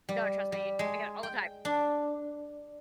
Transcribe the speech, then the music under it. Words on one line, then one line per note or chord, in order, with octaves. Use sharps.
No, trust me, I get it all the time,
G3
G3
G#3
G5
D4